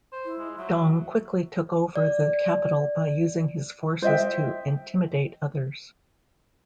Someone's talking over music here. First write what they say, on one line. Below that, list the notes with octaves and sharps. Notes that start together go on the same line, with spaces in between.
Dong quickly took over the capital by using his forces to intimidate others.
C5
E4
G#3
F#3 E5
D5
C5 D#5 E5 G5